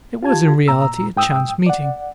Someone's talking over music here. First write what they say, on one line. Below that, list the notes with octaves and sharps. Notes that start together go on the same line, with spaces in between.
It was in reality a chance meeting.
F4 G4 A5 G#6
A#2 A#5 E6
G#2 G5 D#6 E6
D5 F#5